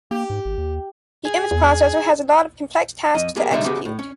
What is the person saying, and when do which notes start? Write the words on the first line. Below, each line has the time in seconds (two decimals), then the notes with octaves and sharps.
The image processor has a lot of complex tasks to execute.
0.11 A#3 G4
0.30 G#2
0.45 G#1
0.58 D#2
1.25 G#4
1.51 E2
3.15 F2 D#5
3.36 A#3 B3 G4 G#4 A#4
3.51 B2 D3 G3 G#3 D#4 E5
3.65 C#3 B3 F#4 G4
3.85 A2
3.99 C#4